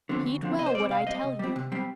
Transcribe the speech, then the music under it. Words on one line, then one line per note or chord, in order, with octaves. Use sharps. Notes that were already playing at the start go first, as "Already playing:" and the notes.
Heed well what I tell you.
D3 F3 C4
D2
D3 F3 C4
C3 D#5
C5
G3 C4 D5
C3 F5
G3 C4 D#5
C3
G3 C4
C3
G3 C4